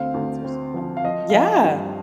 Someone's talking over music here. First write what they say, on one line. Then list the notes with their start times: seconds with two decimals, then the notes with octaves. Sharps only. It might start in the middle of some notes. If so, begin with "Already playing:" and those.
These are so fun. Yeah.
Already playing: D2 C4 F5
0.14 D2
0.44 C4
0.74 F3
0.97 F5
1.04 F3 D#5
1.30 F5
1.33 F3 D#5
1.64 G2